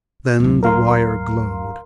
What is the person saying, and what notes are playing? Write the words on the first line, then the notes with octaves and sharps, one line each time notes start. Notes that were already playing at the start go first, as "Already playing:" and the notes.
Then the wire glowed.
D1 E4
A#4 F5 C6